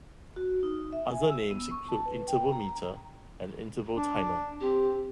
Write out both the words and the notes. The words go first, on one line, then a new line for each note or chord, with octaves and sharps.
Other names include interval meter and interval timer.
F#4
D#4
E5
G#5
E6
B3
C#6
A5
B4
G5
A#5
D4
C4 G4